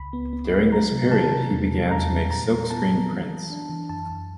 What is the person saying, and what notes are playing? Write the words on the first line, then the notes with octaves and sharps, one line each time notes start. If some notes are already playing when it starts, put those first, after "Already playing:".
During this period he began to make silkscreen prints.
Already playing: C#2 B5
B3
B3
B3
F#3 A#5
C3
C3 A5
C3
E2
B2
E2 A#5
G3
A#2 A#5
G3
B3 A5
B3
E3
E3
D4
E3
F#2 A5
F#2